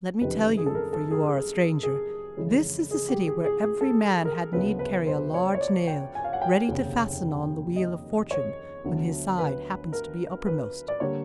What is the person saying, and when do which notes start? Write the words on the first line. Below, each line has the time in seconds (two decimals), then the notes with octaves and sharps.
Let me tell you--for you are a stranger--this is a city where every man had need carry a large nail ready to fasten on the wheel of Fortune when his side happens to be uppermost.
0.21 F#1 F2 C3 D#3 G3 B4
0.57 G#4
0.66 A4
0.75 A#4
0.93 A4
1.11 G#4
1.29 G#4
1.83 G#4
2.37 F2 C#3 E3 G#3
2.91 G#4
3.09 G4
3.27 G#4
3.45 G#4
3.62 G#4
3.81 A4
4.25 A#4
4.52 D2 C#3 F#3 B3 B4
4.79 B4
5.07 C5
5.34 C#5
5.55 C#5
5.61 D5
5.87 G5
6.15 G#5
6.24 F5
6.33 F#5
6.42 G5
6.68 F1 D#2 C#3
7.76 D#5
8.31 C#5
8.84 D2 D3 F#3 B3
9.39 B4
9.93 A#4
10.46 B4
10.88 D5
11.00 D3 G3 A#3 C#5